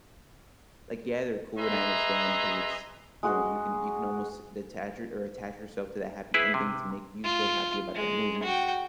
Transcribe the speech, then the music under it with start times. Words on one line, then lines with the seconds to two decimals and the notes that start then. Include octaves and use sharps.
like, yeah, they're cool, and I understand 'cause it's, you know, you can you can almost detach or a attach yourself to that happy ending to make you feel happy about that movie.
1.58 G#4 B4 D#5 E5 A#5 C6
3.23 G#3 F#4
6.34 E4 G#4 B4
6.54 C3
7.24 F4
7.95 G#3
8.43 F#4 G5